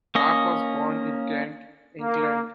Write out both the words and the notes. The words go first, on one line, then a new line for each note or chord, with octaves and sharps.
Clarke was born in Kent, England.
A#3 C#4 D#5
A#3